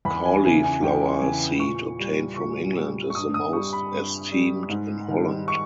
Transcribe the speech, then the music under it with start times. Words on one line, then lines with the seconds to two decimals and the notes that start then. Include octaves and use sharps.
Cauliflower seed obtained from England is the most esteemed in Holland.
0.05 E2 B5
0.25 G#5
0.43 C#3 E3 G#5
0.64 G#5
0.83 E2 G5
1.21 C#3 E3 G#5
1.60 A#2 C#6
1.99 G3
2.37 A#2 C#6
2.76 G3
3.10 C#6
3.15 G2 D#6
3.34 D#6
3.53 G3 C#6
3.73 B5
3.92 G2
4.32 G3
4.69 G#2
5.08 D#3 G3
5.48 C#6